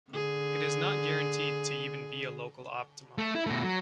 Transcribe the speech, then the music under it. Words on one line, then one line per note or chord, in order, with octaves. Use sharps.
It is not guaranteed to even be a local optimum.
D3 G#4
A3
E4
B2 A3
F#3